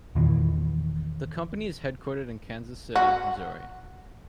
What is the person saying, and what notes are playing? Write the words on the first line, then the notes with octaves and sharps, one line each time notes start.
The company is headquartered in Kansas City, Missouri.
E2 A#2 D#3 E3
F#4